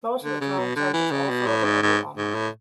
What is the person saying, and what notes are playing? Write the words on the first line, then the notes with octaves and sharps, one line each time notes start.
Most of the content is also available online.
D3
C#3
B2
D3
E3
C#3
B2
A2
G#2
G#2
G#2
A2